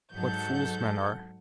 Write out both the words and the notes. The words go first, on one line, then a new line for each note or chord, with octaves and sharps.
What fools men are!
G#2 F#3 A4 F#5 G6